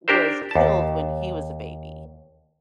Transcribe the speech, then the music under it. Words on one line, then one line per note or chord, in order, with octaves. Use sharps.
was killed when he was a baby.
D4 G4 A#4 C5
D#2 A5